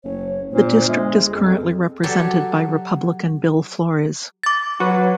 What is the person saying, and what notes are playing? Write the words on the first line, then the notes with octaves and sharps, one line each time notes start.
The district is currently represented by Republican Bill Flores.
F#1 C#5
G1 A#2 C5
G#3 E5
G#4
F2 A4
F#3 G4 A4
D6 A6
F#3 F#4 B4